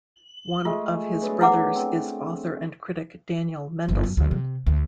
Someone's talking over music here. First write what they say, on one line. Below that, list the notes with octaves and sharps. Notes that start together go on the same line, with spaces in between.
One of his brothers is author and critic Daniel Mendelsohn.
G#3 A3 F4 G#4
F#3 B3 D4
E4 F#5 D6
C4
G1
F#2
D2
C3
D2